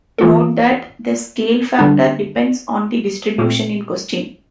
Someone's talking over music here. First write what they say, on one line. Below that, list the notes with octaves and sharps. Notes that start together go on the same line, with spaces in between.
Note that the scale factor depends on the distribution in question.
E3 A#3 F4 A4
D3 G3 D4
A#2 A3 C4